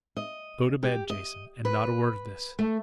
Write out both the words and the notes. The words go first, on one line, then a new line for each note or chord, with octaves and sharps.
"Go to bed, Jason--and not a word of this."
D#5
G4
D#5
B4
A3